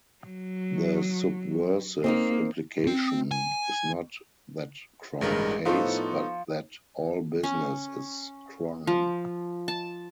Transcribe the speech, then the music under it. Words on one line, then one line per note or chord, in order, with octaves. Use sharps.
The subversive implication is not that crime pays, but that all business is crime.
F#3
A#3 C4 D#4 A#4
C4
G#5
A1 G2 G#3 A#4
A2 F3 B3 D#4 A4 C#6
C#4
F3
A5